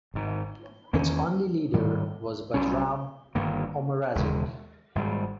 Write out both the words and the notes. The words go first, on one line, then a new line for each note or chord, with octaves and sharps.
Its only leader was Bajram Omeragić.
G#1 G#2 D#3
E2 D#3 A#3 C#4
G#2 D#3 G3
B1 B2 G3 C#4
G1 G2 D#3 A#3
E1 D#2 C#3 G#3
G#1 G#2 G3